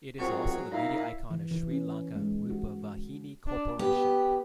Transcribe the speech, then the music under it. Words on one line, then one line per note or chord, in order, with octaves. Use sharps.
It is also the media icon of Sri Lanka Rupavahini Corporation.
C2 D#3 F#3 C4 F4 F#4 G#4 C#6
A#2 D#4 E4 F5 A#5
E3
E3
C#4
G#3
F#4
D4
B3 G4